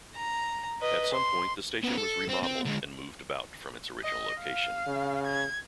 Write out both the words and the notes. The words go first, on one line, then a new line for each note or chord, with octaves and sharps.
At some point, the station was remodeled and moved about from its original location.
A#5
B4 D#5
C6
B3 C#4
A4
C4
C4
D3 G#3
D#5
F5
C#3
G#6